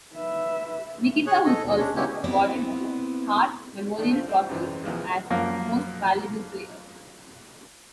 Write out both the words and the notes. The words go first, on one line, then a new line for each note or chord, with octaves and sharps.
Mikita was also awarded the Hart Memorial Trophy as most valuable player.
B4 E5
G#4 C#5 F#6
A4 D#5
D#2 B2
G#3 C#4 D4
C#3 G#3 B3 C#4 E4 G4
B3 C4 E4
D#3 A3 D4 D#4
C4 F4
G3 C4 F4
G#1 F#2 E3 C5
B1 E3 F3 G#3
F#2 F3 A#3